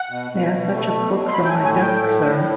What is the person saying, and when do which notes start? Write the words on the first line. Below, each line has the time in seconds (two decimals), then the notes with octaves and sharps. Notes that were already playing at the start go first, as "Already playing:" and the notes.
May I fetch a book from my desk, sir?
Already playing: F#5
0.10 B2
0.31 B2
0.53 B2
0.74 A3
0.95 B2
1.16 F#3
1.28 C6
1.33 B5
1.38 A3
1.44 G5
1.49 G#5
1.59 A2
1.65 G#5
1.76 G#5
1.80 A3 G5
2.02 A2
2.23 A2